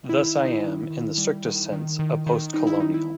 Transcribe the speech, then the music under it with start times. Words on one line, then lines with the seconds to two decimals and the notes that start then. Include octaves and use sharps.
Thus I am, in the strictest sense, a postcolonial.
0.09 D#3 E4
0.36 D#3
0.45 D#4
0.50 E4
0.64 D#3
0.90 D#3
1.18 G3
1.45 D#3
1.72 D#3
1.99 D#3
2.27 D#3
2.53 G3 D#4
2.67 E4
2.80 D#3 D#4
2.94 E4